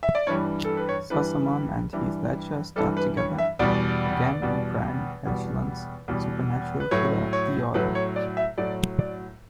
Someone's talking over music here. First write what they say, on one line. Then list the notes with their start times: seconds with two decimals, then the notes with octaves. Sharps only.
Sossamon and Heath Ledger starred together again in Brian Helgeland's supernatural thriller "The Order".
0.03 E5
0.15 D5
0.27 G2 E3 G3 C#5
0.65 A4
0.77 B4
0.89 C#5
1.10 G2 E3 G3 B4
1.93 G2 E3 G3
2.76 G2 E3 G3 A4
2.97 B4
3.17 C#5
3.38 E5
3.59 E2 B2 G3 D5
4.42 E2 B2 G3
5.25 E2 B2 G3
6.08 E2 B2 G3
6.80 B4
6.91 A2 F#3 C#5
7.33 C#5
7.74 A2 F#3 B4
7.95 C#5
8.16 D5
8.37 E5
8.58 A2 F#3 D5
8.99 D5